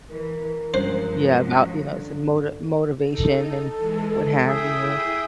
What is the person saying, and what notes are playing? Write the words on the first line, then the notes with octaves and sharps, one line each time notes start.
Yeah, about, you know, some moti motivation and what have you,
E3 A#4
G2 F3 F#3 G#3 C#4 C5 F#6
D3
D#4 A4
E3 G#3
E4 G#4 E5 G5 D#6